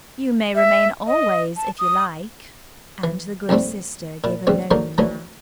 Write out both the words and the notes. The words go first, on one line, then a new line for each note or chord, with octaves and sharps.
"You may remain always if you like!" And the good sister gave a knowing laugh.
E5
D#5
A5
D#6
E3
B1 F2 G3 A3 C4
A#2 E4
E2 G2 B2 G#3 C4
G#2 D3 F3 F#3 A#3 D#4
D3 F3 F#3 A3 B3